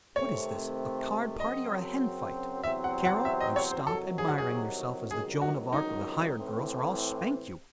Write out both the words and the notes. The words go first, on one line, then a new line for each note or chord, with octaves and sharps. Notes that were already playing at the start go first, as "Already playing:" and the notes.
What is this, a card party or a hen fight? Carol, you stop admiring yourself as the Joan of Arc of the hired girls, or I'll spank you.
C3 D#3 A3 C4 C#5
F#2 C#3 F#3 C4 D#5
E2 C3 F#3 C4 E5
F#5
F#5
E5
D#5
C#5
C5
C2 C3 D#3 F#3 A4
G#4
F#4
G#4
C#2 C3 D#3 F#3 G#4
F#4
D#4
A2 E3 C4